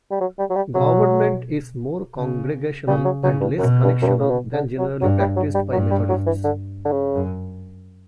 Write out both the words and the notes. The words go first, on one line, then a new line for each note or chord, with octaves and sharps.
Government is more congregational and less connectional than generally practiced by Methodists.
G3
F#3
G3
F#3
G3
B2 F#3
C#3
C#3 G3
F#3
C#3 F#3
G2
F#2 B2
G2
F#2
G2
C#3
B2
D3
F#3
G2 F#3
G3
F#3
G3
G2 F#3
G3
F#3
E3
D3
D3
C#3
F#2